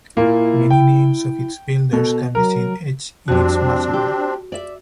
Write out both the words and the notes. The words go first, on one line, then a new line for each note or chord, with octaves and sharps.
Many names of its builders can be seen etched in its masonry.
A#2 A#3 E4
G5
B2 A4
F#3 A#4
F2 G3 C4 D4 F#4
G4
D5 E5